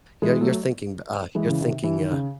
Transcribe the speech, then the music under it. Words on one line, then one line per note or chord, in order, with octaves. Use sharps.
Yeah, you're thinking, uh you're thinking, uh
E3 G#3
F#3 A3
E3 G#3
C#3 E3
C3 D#3
E3
D#3
C#3